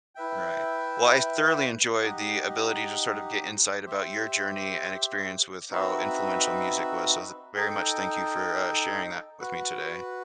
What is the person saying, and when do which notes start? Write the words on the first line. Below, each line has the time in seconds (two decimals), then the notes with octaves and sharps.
Right, well, I thoroughly enjoyed the ability to sort of get insight about your journey and experience with how influential music was, so th very much thank you for, uh, sharing that with me today.
0.15 E4 B4 E5 G5
2.01 D#4 G4 D#5 F#5
3.85 G4 C5 E5
5.71 C4 D#4 F#4 B4 E5
7.55 D#4 A4 D#5 G5
9.40 F#4 B4 F#5